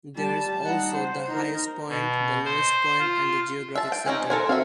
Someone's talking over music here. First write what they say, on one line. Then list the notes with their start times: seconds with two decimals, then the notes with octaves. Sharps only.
There is also the highest point, the lowest point, and the geographic center.
0.16 G3 A5
0.65 D#4 F#5
0.95 C5
1.28 D#4 A#4
1.89 B2
2.45 C5
2.99 F4
3.75 E5 A5
3.92 G5
4.06 C4 C#4 D#4 G#5
4.30 A4 A#4 C5 G#5 C6
4.49 C4 F#4 E5 F5